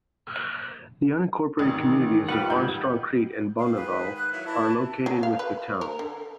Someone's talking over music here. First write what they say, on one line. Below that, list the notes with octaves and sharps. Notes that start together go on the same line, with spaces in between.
The unincorporated communities of Armstrong Creek and Bonneval are located with the town.
A1 D#3
G3 F4 G4 B4 F#5
F1 G#2 G6
G#2 D#3 F5
B4
F#6
F#3 A#3 E4 E5
E3 E4 A5
F#3
F5
B4
A#4
D3